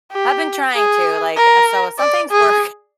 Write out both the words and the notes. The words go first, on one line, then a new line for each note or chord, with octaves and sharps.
I've been trying to, like, so some things work
G4
G#4
A#4
D5
G#4